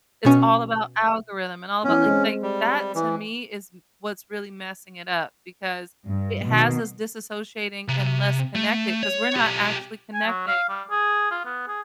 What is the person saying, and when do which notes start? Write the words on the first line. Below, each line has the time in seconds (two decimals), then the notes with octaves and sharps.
It's all about algorithm and all about, like like, that to me is m what's really messing it up because it has us disassociating and less connected 'cause we're not actually connecting
0.25 B2 C#4
1.84 E3 B3 C#4
2.06 G#3 C4
2.43 G3
2.95 E3
6.08 G2
6.45 B2 D#3
7.88 C3
8.55 A3
9.03 C#5
9.36 B1 G4
10.14 G#5
10.27 F#3
10.48 F5
10.69 G3
10.91 G#4
11.31 F4
11.45 B3
11.68 G#4